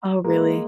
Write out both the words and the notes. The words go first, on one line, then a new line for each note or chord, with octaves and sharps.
Oh really?
G#3 A#3